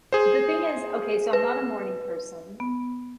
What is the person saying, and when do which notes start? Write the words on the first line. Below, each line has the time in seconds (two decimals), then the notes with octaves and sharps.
the thing is okay, so I'm not a morning person,
0.12 G#4 C5
1.33 B4
2.60 B3